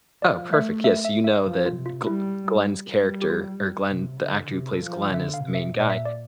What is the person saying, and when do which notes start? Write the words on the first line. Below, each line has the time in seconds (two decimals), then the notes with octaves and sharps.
Oh perfect, yes, you know that Gl Glenn's character or Glenn, the actor who plays Glenn, is the main guy
0.22 F3 D5
0.53 A3 E5
0.84 E5
1.05 E5
1.24 E5
1.45 F3
1.66 F4
1.75 C3
1.86 F4
2.07 G3 E4
2.99 G3
3.22 G4
3.30 F4
3.90 C3
4.21 D3
4.52 C3 G4
4.73 A4
4.83 F3
4.93 C5
5.13 D3 E5
5.34 F5
5.44 C3
5.54 E5
5.75 A#2
5.80 D5
5.90 E5
6.05 D5